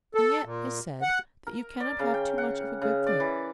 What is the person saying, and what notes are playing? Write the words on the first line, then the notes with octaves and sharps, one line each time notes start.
And yet is said that you cannot have too much of a good thing.
A4
A#2
F#5
A#4
D5
C#3
G5
F#5
C#3
D5
E3